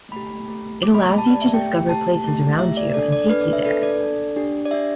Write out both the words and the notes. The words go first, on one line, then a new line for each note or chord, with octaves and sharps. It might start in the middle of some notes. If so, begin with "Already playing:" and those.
It allows you to discover places around you and take you there.
A3 G4 B5
A3 G4
A3 G4 D6
B5
B5
A3 G4 A5
D5
E5
A3 G4 G5
A3 G4 A5
A3 G4
A3 G4 E5
D5
D4 A4 D5
D5
D4 A4 B4
D5
E5
D4 A4 B4
D5
D4 A4
D4 G4
D5
D4 G4 E5